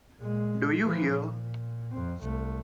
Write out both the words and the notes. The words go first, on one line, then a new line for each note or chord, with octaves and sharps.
Do you hear?
A#2 G#3
E3 F3
A#2
F2 C4
C2 A3